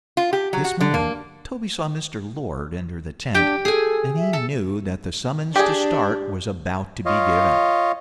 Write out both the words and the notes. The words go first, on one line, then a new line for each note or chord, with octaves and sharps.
At this moment Toby saw Mr. Lord enter the tent, and he knew that the summons to start was about to be given.
F4
G4
F#3
F#4
D3
A#3
D4 G4 G5
G#4 A4 G#5
E5
A4
D4 G4 G#4
F4 C#5 D#5 F5